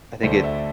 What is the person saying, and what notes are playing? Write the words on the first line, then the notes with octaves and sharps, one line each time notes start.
I think it
D2 D3 A3 C5
D5
E5
D5